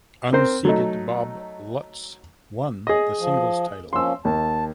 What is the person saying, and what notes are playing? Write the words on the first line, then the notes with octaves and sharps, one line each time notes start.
Unseeded Bob Lutz won the singles title.
C4 A#4 C5
F#3 A3 D#4
G#4 D#5
F3
F3 A#3 C#4 C6 E6
D#2 A5